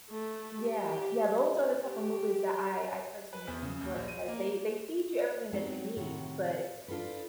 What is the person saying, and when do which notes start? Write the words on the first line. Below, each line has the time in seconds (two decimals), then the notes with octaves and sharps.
Yeah. Yeah, those are the type of movies that I I personally enjoy because they they feed you everything that you need, but
0.11 A3
0.61 G4
1.80 G4
3.33 B4
3.47 E2
3.62 C#3
3.81 D#2
3.95 A#1
4.08 D#7
4.28 A#3
5.53 F#3 G#3 B3 C4 D#4
5.97 A2 C3 D#3 F#4
6.88 D4 F4 G4 A4 B4